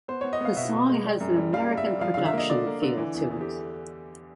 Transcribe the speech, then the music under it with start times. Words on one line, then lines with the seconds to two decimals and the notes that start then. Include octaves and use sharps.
The song has an "American production" feel to it.
0.08 B3 C5
0.21 B3 C#5
0.33 D#5
0.40 B3 F5
0.57 B2 E5
0.73 B2
0.89 G#3
1.05 G3
1.20 F#2
1.37 G3
1.53 G3 F5
1.70 G3
1.77 E5
1.86 G3
2.01 F3 F5
2.14 D3 F5
2.25 E5
2.33 A#3 D#5
2.50 D3 D5
2.66 A#3
2.82 D3
2.97 E3
3.14 E2
3.30 E2
3.41 G4